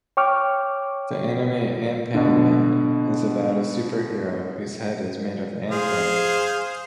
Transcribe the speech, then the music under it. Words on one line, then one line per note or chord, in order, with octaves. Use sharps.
The anime "Anpanman" is about a superhero whose head is made of anpan.
C#5 G5 C#6 D6 F6
B2 D3
G#4 C5 F5